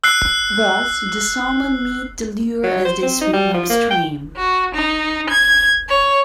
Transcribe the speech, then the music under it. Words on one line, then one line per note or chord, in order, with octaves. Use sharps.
Thus, the salmon meet the lure as they swim upstream.
E6 F#6 C7
F#3
C5
C4
D#4
G3
F3
A#3
G5
F#4
D#4
G#6
C#5